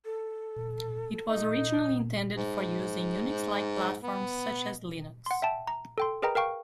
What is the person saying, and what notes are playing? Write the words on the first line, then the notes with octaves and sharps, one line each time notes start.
It was originally intended for use in Unix-like platforms such as Linux.
A4
D#4
G#2
B3
F#5 C6
E5 G5 A5
A#5
A4 G5 C6
G#4 A#4 B4 D#5 G5 A#5
A#4 F5 G5 C#6